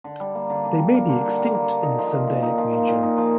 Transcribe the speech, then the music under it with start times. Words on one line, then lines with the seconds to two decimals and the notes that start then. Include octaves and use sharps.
They may be extinct in the Sundaic region.
0.04 D3
0.20 G3
0.35 A#3
0.50 D3
0.65 D3
0.79 G3
0.94 A#3
1.09 D3
1.24 D3
1.38 G3
1.54 A#3
1.69 D3
1.83 D#4
1.99 F3
2.13 A#3
2.27 A#2
2.43 D#4
2.58 F3
2.73 A#3
2.87 A#2
3.03 D#4
3.18 F3